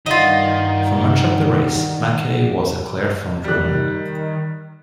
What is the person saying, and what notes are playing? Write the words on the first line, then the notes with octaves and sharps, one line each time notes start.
For much of the race, MacKay was the clear front-runner.
G2 D#3 F4 D5 D#5 F#5
D#3 G3 F#6